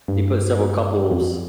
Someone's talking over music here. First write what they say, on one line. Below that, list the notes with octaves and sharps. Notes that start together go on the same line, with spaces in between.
they put several couples
G2
F2